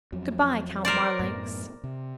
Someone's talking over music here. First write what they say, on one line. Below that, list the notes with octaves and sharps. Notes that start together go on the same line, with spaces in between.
"Good-bye, Count Marlanx."
F2 F#3
A#4 C5 D5
F#2 A2 B3
C3